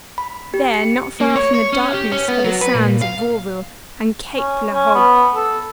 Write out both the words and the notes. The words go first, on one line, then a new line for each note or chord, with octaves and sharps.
There, not far off in the darkness, are the sands of Vauville and Cape la Hogue.
B5
G4
C#7
A#3
C#5
C#5
C#4
G4
C#4
B3
F#3
B4
A#2
F5
C#4
C#4
B3
A4